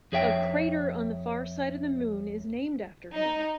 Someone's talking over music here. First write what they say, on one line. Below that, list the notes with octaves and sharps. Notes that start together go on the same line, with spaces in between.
A crater on the far side of the Moon is named after him.
F2 G#4 C#5 E5 G5
D#4